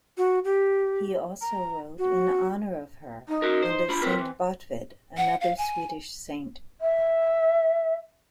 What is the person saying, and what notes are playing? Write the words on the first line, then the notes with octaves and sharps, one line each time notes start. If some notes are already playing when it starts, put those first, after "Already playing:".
He also wrote in honour of her and of Saint Botvid, another Swedish saint.
F#4
G4
A#5
F#4
D#4
F#4 A#4
C5
D4 F4 B5
C4 F4 A#4 B4
E3
F#5
F5
G#5
E5